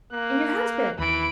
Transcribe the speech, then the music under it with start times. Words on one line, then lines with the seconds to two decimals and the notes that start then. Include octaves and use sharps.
And your husband?
0.12 A#3 F#6
0.99 D#2 E3 B5 D7